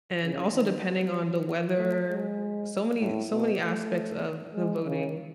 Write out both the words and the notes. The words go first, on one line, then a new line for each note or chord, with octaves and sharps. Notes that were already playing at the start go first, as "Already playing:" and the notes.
and also depending on the weather. So many so many aspects of the voting
C#3
D#3
F#3
A3
G#3
A2
B2
A3
G#3
C#3